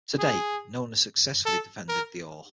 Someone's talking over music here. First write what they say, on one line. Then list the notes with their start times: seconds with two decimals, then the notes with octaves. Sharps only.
To date, no one has successfully defended the Oar.
0.19 G#4
1.46 A4
1.89 A#4